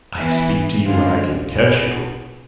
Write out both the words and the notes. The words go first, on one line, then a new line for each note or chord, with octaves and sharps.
I speak to you when I can catch you.
E3 B3 E4 B4
D3 F3 G#3 C4 F4
B2 G#3 B3